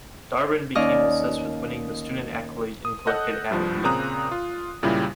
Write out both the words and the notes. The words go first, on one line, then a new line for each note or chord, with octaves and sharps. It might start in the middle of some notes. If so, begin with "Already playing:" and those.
Darwin became obsessed with winning the student accolade and collected avidly.
D#2 C#4 D#4 D5 D#5 F5
D#6
A4 D#5 F#5 F#6 G6
C2 G2 F3
A#2 C#3 C4 A#5 D#6 F#6
F4
C#2 A#2 C#3 G3 E4 G4